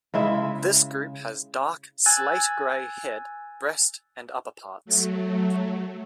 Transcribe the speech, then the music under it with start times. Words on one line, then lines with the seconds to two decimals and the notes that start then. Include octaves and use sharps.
This group has dark slate-gray head, breast and upperparts.
0.14 C#3 G#3 E4 E5
2.06 G#5 E6 F#6 G#6 A6
4.85 F#3 A3